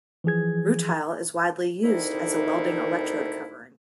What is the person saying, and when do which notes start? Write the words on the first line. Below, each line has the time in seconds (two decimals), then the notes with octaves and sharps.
Rutile is widely used as a welding electrode covering.
0.24 E3 F3 G#4 G#6
1.84 D2 A2 C3 D#3 D#4 E4